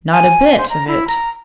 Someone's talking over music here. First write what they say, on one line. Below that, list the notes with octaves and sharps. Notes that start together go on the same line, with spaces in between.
'Not a bit of it.
G#5
C5
A#5
E4
A#5